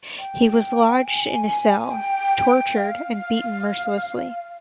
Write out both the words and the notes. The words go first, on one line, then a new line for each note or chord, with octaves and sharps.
He was lodged in a cell, tortured and beaten mercilessly.
G5
G#5
G5
F5